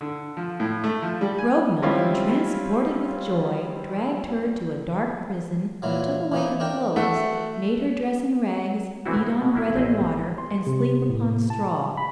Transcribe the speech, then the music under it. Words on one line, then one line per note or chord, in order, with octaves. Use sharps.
Grognon, transported with joy, dragged her to a dark prison, took away her clothes, made her dress in rags, feed on bread and water, and sleep upon straw.
D3
F3
A2
A3
F3
G3
G#5
G3 G#3 C4 C#4 E4 F4
A#2 E3 F#3
E3 A#3 D#4
D4 A#4 G5
A3 F#4 E5 F#5
E3 A3 B3 C4 E4 F#4
G#3
B2
F#3 A#3 E4
A1 C4 G#4 D#5 E5
C6
C3
A2
A5
B5